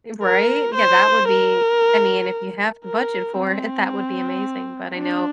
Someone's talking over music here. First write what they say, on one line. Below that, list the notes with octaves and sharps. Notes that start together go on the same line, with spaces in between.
Right? Yeah, that would be I mean if you have the budget for it, that would be amazing, but I know
A#4
C5
A#4
A#4
C4
D4